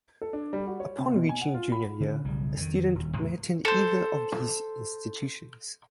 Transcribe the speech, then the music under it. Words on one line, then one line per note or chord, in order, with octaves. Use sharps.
Upon reaching junior year, a student may attend either of these institutions.
A4
D4
G3
F#4
C#5
C3
B2
G#5
F#5
F4
B5
D3 C#4
F#1 B1 C#3 G3
F2 D#3
D#1
E2 A2 C#3 F#3
A4 C5